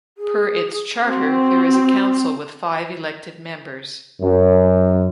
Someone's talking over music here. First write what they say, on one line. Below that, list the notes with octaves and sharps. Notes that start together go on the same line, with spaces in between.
Per its charter, there is a council with five elected members.
G#4
C4 F#4
F#2